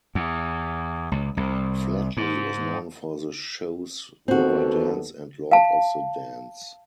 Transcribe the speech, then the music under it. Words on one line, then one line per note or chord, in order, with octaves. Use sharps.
Flatley was known for the shows "Riverdance" and "Lord of the Dance".
E2
C#2
C2
G#2
D#2 B3 C4 F#4 A4
F5 A5